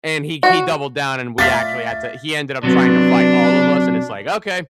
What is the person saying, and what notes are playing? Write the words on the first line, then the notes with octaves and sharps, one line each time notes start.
And he he doubled down, and we actually had to he ended up trying to fight all of us. And it's like, okay.
F#4
A3 F4 D5 A6 B6
C3 F#3 B3 D4